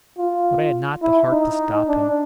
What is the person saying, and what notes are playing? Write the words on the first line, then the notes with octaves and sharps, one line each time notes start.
But I had not the heart to stop him.
F4
E4
D#4
D4